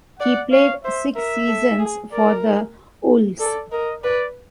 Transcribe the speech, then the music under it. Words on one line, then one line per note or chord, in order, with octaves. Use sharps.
He played six seasons for the Wolves.
D5 F#5
C#5 F5
C5 E5
A#4 E5
A4
G#4
A#4 D5
A4 D5
A#4 D#5
B4 D5